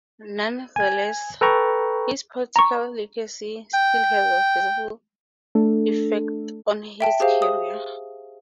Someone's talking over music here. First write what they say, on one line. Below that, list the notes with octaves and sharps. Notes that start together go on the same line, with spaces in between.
Nonetheless, his political legacy still has a visible effect on his career.
G#5 G#6
A4 B4 G5 A#5 C#6
A#5 C#6
G5
A3 D4 A4
E5 G5 A5
G4 G#4 C5 F5
D#6